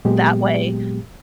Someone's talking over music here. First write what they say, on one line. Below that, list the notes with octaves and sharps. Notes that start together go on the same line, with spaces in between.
that way.
A#2 F#3 G#3 B3 G4